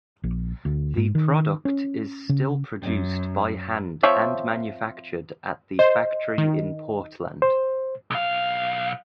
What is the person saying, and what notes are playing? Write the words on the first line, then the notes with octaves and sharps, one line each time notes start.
The product is still produced by hand and manufactured at the factory in Portland.
A#1
D2
G#2
D#3
C#4
C#3
F#2
F3 C4 C#5 E5
C5 D#5
D#3
C5
B1 F5